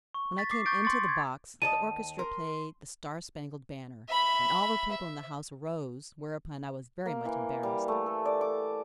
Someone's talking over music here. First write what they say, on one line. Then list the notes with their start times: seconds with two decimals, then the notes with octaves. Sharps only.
When I came into the box, the orchestra played the 'Star-Spangled Banner,' and all the people in the house arose; whereupon I was very much embarrassed.
0.14 C#6
0.38 A6 B6
0.51 D6 C7
0.65 C#6 D6 G6 A6 D7
0.84 C6 D6 A6 C#7
1.04 C6 G#6
1.62 D#2 D5 D#5 A5 D#7
2.19 A#4 C6
4.08 E5 B5
4.91 E5
7.06 A#3
7.25 E3
7.63 G3
7.88 A3
8.06 A4
8.25 D5
8.41 D6